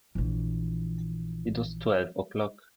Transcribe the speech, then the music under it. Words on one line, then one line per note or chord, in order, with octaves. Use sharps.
It was twelve o'clock.
A#1 E3